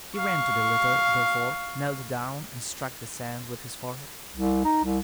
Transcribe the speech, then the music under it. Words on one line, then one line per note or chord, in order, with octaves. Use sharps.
He ran to the litter, therefore, knelt down, and struck the sand with his forehead.
F5 C#6
C2
D#4
C2